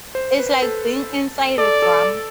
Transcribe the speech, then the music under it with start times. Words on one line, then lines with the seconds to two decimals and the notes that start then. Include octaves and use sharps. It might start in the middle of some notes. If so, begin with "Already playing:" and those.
It's like being inside a drum.
0.15 C5
0.39 B4
0.62 A4
1.58 A4 D5
1.82 A4